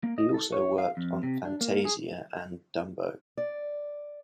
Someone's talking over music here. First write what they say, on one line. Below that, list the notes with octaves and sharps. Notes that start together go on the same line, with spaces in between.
He also worked on "Fantasia" and "Dumbo".
A#3
D#5
A4
C#5
F5
F2
C3
D4
A#3
G#4
D5